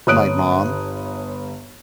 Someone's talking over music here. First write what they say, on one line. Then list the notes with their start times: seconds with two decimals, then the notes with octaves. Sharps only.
I'm, like, "Mom,
0.07 G1 C#5 D#6 F#6 D7